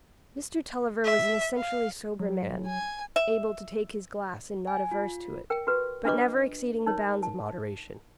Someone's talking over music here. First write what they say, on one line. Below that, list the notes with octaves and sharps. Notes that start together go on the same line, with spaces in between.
Mr. Tulliver was an essentially sober man,--able to take his glass and not averse to it, but never exceeding the bounds of moderation.
E5
F5
F#3
G#5
E5
G#5
F4
A#4 G5
F#4 G4 B4
D4 F4 B4 D#5 C#6 D6
D#4 A#4 C#5
A5